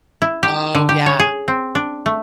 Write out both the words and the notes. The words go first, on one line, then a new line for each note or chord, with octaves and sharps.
Oh, yeah.
E4
G4
D3
G4
C#5
G#4
C4
D4
A3